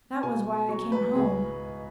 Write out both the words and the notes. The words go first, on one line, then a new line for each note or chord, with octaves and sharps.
That was why I came home.
B2 G#5
F#3 C#6
B4
C#2 G#4